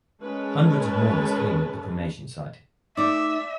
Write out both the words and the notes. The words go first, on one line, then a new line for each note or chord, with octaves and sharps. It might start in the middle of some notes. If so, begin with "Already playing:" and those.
Hundreds of mourners came at the cremation site.
G#3 C#4 A#4 B4 A5
A3 D#4 D5 E5